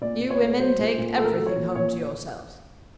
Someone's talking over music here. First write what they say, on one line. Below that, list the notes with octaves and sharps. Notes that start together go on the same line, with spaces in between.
You women take everything home to yourselves.
A#2 D5
A#2
C#5
A3
F#3 C5
A#2
A#2
A3 A4
A#4
F#3 A4
C#5
A#2
A#2 C#5